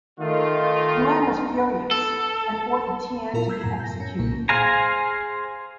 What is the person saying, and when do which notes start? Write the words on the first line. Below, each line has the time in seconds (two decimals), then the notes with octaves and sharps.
Yuan was furious and ordered Tian to be executed.
0.20 D#3 A3 F4
1.91 A4
3.33 A#2 B3 E4 F4 A#4
3.49 A#5 E6 G6 G#6 B6 C7
3.63 F#2 A2 C3 A#5
3.80 G6 A#6
4.00 C#4
4.19 B1 A#2 C#3 A#3
4.49 G#4 C5 F5 G#5 A#5